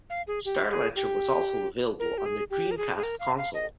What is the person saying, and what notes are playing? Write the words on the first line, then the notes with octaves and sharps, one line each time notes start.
"Starlancer" was also available on the Dreamcast console.
F5
G#4
G4
G#4
G4
A#4
G4
G#4
G4
A#4
G#4
G#4
A#4
F5
F5
D#5